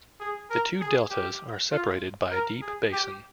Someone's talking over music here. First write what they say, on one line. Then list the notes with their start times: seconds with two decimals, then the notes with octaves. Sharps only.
The two deltas are separated by a deep basin.
0.20 G#4
0.50 A#4
0.81 G#4
1.11 G4
1.71 F4
2.31 A#4
2.62 G#4
2.92 G4